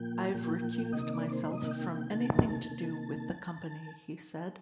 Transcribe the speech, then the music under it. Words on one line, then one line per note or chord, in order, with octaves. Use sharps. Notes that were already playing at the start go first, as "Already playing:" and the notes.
"I've recused myself from anything to do with the company," he said.
Already playing: A#2 F3 A#3 G5
A#2 F3 A#3
C3 D#3 A#3 D#5
D5
C5
C3 D#3 A#3 D#5
G5
G5
C3 D#3 A#3 A5
C3 D#3 A#3